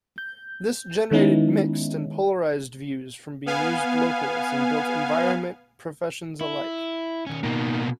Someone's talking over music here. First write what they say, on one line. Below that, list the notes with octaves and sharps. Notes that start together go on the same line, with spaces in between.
This generated mixed and polarized views from bemused locals and built environment professions alike.
G6
D#3 G#3 B3 C#4 D#4 E4
B3 F5 G#5
E4
D#3 C#4
B2 D#3 A#3